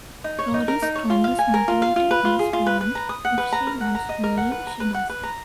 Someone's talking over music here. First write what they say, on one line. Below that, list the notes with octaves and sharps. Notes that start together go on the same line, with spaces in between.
Rory's strongest motivator is want - if she wants to do it, she does.
D#4
C#5
D#4
A#4
D#4
C#5
F4
F5
G#5
A#4
F4
F5
F4
B4
F4
G#4
F4
B4
B4
A#5
D#6
F#5
B4
A#5
A#4
F#5
A#5
D#5
A#4
F#5
B4
A#5
B4
F#5
B4
A#5